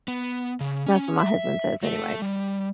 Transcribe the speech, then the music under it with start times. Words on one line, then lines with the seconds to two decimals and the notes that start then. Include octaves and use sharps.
that's what my husband says anyway-
0.08 B3
0.60 C#3
0.86 C#4
1.19 E5
1.83 A3
2.22 G3